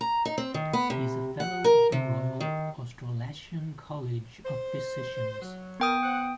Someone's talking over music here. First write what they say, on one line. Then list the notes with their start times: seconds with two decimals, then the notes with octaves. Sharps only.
He is a Fellow of the Royal Australasian College of Physicians.
0.01 A#5
0.25 D#4
0.38 C4
0.54 D#3
0.73 B3
0.90 C3
1.40 F#5
1.64 A#4
1.92 C3
2.40 D#3
4.45 C5
5.42 F#3
5.80 B3 A#4 G5 D#6
6.02 C5 F#5